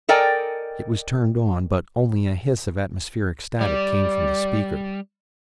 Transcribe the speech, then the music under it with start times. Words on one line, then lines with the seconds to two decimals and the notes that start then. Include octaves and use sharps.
It was turned on, but only a hiss of atmospheric static came from the speaker.
0.09 A4 A#4 D5 D#5 G5 G#5
3.61 G3 D5